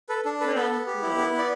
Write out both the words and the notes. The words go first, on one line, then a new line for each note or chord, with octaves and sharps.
Well, no.
A4 B4
D4 A4
A4 B4
B3 A4
B3
G4
E4
B3
B3
D5